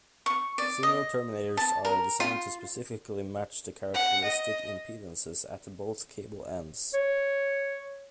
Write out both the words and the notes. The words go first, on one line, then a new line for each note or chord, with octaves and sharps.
Signal terminators are designed to specifically match the characteristic impedances at both cable ends.
C#6
D5
D#5
A5
A#4
F4
F#5
D#5
C#5